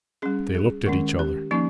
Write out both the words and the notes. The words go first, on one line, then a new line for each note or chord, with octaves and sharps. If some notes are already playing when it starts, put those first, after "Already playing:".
They looked at each other.
G3 C#4 G#4
G#4
D#3 G#3 C#4 A#4
G4
F3 A#3 C#4 D#4